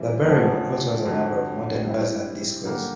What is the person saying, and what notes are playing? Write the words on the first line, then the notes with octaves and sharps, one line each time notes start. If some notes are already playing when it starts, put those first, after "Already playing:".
The "barrio" also has a number of modern bars and discos.
Already playing: C3 E3 G3
F2 D3 F3 A3 C#4
F2 D3 F#3
G3 C4 E4
D3 G3 A#3